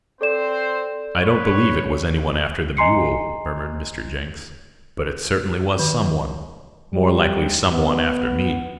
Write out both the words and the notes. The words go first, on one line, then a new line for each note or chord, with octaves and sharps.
"I don't believe it was any one after the mule," murmured Mr. Jenks, "but it certainly was some one--more likely some one after me."
C4 A4 C5 D5 E7
B4 C#5 C#6
D#5 G#5 A#5 C6 C7 C#7
D#3
G3
B3